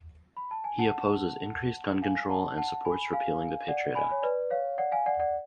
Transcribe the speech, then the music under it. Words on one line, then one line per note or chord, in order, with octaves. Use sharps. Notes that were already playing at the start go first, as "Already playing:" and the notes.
He opposes increased gun control and supports repealing the Patriot Act.
B5
A5
G#5
F#5 A5
F5 G#5
F#5 A5
F#5 A5
G#5 B5
F5 G#5
D5 F#5
G#5 B5
C#5
B4 D5
C#5 F5
D5 F#5
F5 G#5
D5 F#5
D5 F#5